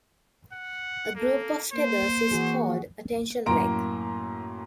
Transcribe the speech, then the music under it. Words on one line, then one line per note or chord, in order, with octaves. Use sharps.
A group of tethers is called a tension leg.
F#5
A#3 A4
A#3 C5
E3 F#4 G#4
F#2 A2 A#3 A#5 C6 D7